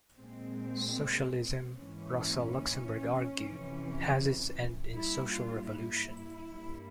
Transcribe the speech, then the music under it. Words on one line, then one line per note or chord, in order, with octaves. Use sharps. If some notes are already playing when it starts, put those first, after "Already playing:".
Socialism, Rosa Luxemburg argued, has its end in social revolution.
A#2 G#3 C4
G#2 E3 A#3 C#4
F2 C3 E3
G2 G3 A#3 E4
F4
E4
G2 G3 A#3